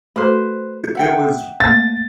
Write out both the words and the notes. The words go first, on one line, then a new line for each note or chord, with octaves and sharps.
it was
A3 F#4 A4 B4 C5
E5 F#5 G5
A3 A#3 A6